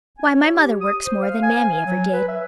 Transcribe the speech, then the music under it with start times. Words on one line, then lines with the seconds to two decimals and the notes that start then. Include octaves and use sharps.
Why, my mother works more than Mammy ever did.
0.18 G#5
0.32 C#5
0.54 G4
0.81 D#6
1.06 C5
1.23 F5
1.43 G#5
1.87 F#3
2.13 B4
2.28 E5